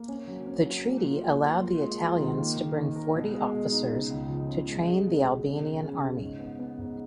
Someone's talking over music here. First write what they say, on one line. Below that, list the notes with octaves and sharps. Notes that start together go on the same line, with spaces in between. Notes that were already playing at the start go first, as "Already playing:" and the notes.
The Treaty allowed the Italians to bring forty officers to train the Albanian army.
Already playing: A#3
C#4
F#3
C#4
F#3
A#3
F4
A#3
A#3
F4
G#3
F4
D#3
A#3
D#3
D#3
A#4
B2
G#3
B2
D#4
C#3
C#2
F3
C#3
G#3
G#3
B2
B2
C#3
C#3
C#3
C#3
G#2
B3
B3
G#2